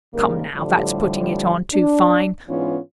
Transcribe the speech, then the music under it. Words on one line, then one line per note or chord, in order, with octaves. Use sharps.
Come, now, that's putting it on too fine.
G#2 C#3 G3 A#3 A#4
A2 D3 F3 G3
D4
G#2 E3 B3 C#4 D4 F4